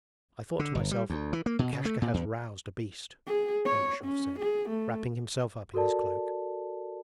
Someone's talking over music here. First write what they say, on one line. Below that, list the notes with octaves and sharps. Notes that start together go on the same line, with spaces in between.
I thought to myself: "Lukashka has roused a beast,"' Ergushov said, wrapping himself up in his cloak.
D3
G1
G3
D2
E3
A#3
B2
C#3
A3
A#2
E2
G#4
C#5
C#4
G#4
A3
F#4 A4 A#4 D5 A5